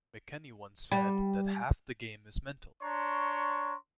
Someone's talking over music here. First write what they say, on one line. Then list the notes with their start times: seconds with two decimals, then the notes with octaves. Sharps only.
McKenny once said that Half the game is mental.
0.92 G3
2.83 D4 C#5 A#5 C6 C#6